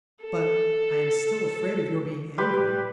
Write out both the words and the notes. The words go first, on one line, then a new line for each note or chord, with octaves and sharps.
"But I am still afraid of your being angry."
A4
G3 G4 B4 C6